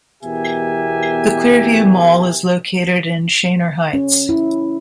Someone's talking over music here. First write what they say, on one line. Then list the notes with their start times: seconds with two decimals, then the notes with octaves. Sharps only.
The Clearview Mall is located in Shanor Heights.
0.23 E2 B2 G4 A#4 E5 G#5
3.94 C#4
4.29 E4